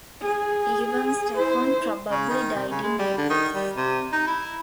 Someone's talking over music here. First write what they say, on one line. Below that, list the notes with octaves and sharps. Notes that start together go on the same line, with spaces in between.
Ivan Stefan probably died in Naples.
G#4
E4 C5
C#3
D#3
C3
C#3
G#3
G3
D3
D#3
G3
C3
D#4
E4